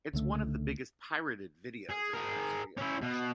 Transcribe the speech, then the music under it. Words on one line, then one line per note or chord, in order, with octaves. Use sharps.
It's one of the biggest pirated videos in the history of Russia.
C#2 D3 A3
G#4
G#4 A#4
C#4 E4
B2